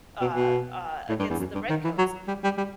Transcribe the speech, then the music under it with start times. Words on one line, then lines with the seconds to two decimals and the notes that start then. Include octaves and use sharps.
uh, uh, against the redcoats,
0.21 B2
0.35 B2
1.09 A2
1.19 G2
1.30 E2
1.39 F#2
1.54 G2
1.70 D#3
1.84 E3
1.98 F#3
2.28 G3
2.44 G3
2.57 G3